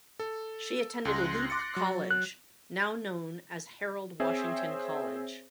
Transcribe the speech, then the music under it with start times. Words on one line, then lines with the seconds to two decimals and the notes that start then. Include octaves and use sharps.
She attended Loop College, now known as Harold Washington College.
0.20 A4
1.05 C#2 C6 F#6 A#6
1.50 D6 A6 C#7
1.76 F#3
2.11 F#6
4.20 C4 G#4 C5 C#5 E5 G#5